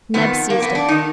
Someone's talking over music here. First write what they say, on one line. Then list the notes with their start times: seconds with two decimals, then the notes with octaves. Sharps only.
Neb seized it.
0.14 F2 D#3 B3
0.50 A#3
0.62 B3
0.75 D4
0.89 D#4
0.92 D#3